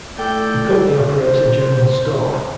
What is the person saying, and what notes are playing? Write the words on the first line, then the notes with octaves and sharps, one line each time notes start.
The company operates a general store.
A2 A4 D5 G5 G6
C5